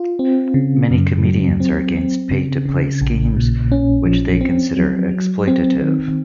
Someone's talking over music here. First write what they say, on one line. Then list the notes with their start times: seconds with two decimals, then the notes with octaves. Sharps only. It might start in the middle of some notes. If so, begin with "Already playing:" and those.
Many comedians are against pay-to-play schemes, which they consider exploitative.
Already playing: F4
0.19 C4
0.54 C#3
0.90 F#2
1.25 F#3
1.60 C4
1.96 C4
2.31 C#3
2.65 C#3
3.01 A#1
3.36 A#2
3.72 C#4
4.06 F3
4.41 C4
4.77 F#3
5.11 F#3
5.48 C4
5.82 D#3